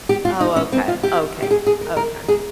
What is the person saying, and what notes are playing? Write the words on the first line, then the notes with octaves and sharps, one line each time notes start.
Oh, okay. Okay, good. Okay.
G4
F4
D#4
C#4
C4
F4
G4
G4
G#4
G#4
A#4
A#4
G#4